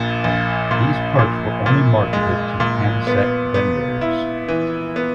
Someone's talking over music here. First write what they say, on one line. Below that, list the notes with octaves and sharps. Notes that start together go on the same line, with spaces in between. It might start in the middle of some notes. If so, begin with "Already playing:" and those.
These parts were only marketed to handset vendors.
Already playing: A#1 A#2
A#1
A#2
A#2
A#2
G#3
A#2
B3
B3
E4
E3
B3